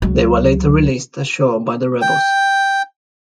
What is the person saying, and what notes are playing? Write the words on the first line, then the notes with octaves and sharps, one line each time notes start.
They were later released ashore by the rebels.
C#2 F#3
G5